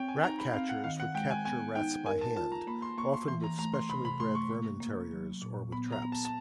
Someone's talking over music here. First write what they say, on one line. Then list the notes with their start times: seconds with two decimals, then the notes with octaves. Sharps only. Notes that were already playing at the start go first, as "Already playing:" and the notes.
Rat-catchers would capture rats by hand, often with specially-bred vermin terriers, or with traps.
Already playing: C4 C#5 G5
0.08 G#5
0.23 D#4 A#5
0.39 B5
0.53 C4 F5
0.69 F#5
0.84 D#3 F5
1.00 F#5
1.15 G#3 G5
1.31 G#5
1.45 B3 G#5
1.75 D#4 G5
2.06 A#4 G#5
2.21 A5
2.36 F4 A5
2.52 A#5
2.67 A#3 B5
2.82 C6
2.98 A#3 C#6
3.14 C6
3.28 E3 C6
3.44 A#5
3.58 A3 A#5
3.74 C6
3.89 C3 B5
4.05 B5
4.20 A3 C6
4.35 C#6
4.50 A#3
4.81 A#3
5.11 F#3
5.42 A#2
5.72 B3 B5
5.92 A#5
6.03 B3
6.12 A5
6.25 A5